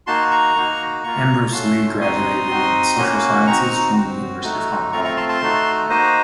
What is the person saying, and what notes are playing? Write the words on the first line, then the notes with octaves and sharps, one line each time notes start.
Ambrose Lee graduated in Social Sciences from the University of Hong Kong.
A#3 D#4 F#4 A5 C6
A#5 C#6
A#3 D#4 F#4
A#3 F4 A#5 C#6
A3 C#4 F#4 A5 C6
C4 D#4 F#4 C6 D#6
C4 D#4 F#4
A#3 C#4 F#4
C4 D#4 F#4 A#5 C#6
A#5 C#6
C4 F#4
A3 D#4 F#4
A3 C4 F4 A#5 C#6
A#5 C#6
A5 C6
A5 C6
A3 D#4 F#4
A#3 D#4 F#4 C5 D#5